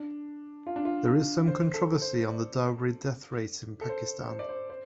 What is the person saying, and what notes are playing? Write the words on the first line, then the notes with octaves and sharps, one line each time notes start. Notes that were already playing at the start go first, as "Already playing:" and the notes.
There is some controversy on the dowry death rates in Pakistan.
Already playing: D4
F4
D4
F4
D4
C5
A4
C5
D5
A4
C5
C5
D5
C5
C5